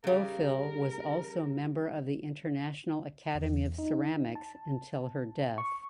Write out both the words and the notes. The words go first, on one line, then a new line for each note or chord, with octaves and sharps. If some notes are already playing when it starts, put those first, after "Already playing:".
Bofill was also member of the International Academy of Ceramics until her death.
C#3 G3 A#4
E2
D#4
A5
C#6